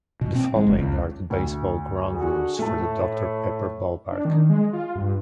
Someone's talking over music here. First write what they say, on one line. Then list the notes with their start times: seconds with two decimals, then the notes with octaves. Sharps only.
The following are the baseball ground rules for the Doctor Pepper Ballpark.
0.21 B2
0.35 C4
0.56 G#3
0.67 F#1
0.79 C#2
1.30 D2
2.12 D3 F#4 G#4
2.59 A2 A3 A5
4.12 D4
4.25 D#3
4.50 G#3
4.73 F4
4.96 G2